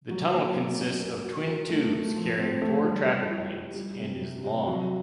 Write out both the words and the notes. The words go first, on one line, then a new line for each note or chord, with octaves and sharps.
The tunnel consists of twin tubes carrying four traffic lanes, and is long.
F#3
A#3
B2
C#4
A#4
F#4
A#4
A3
A3
F3
C4
A3
G3
G3
E4
G3
G3
C3
C3
C3
F#3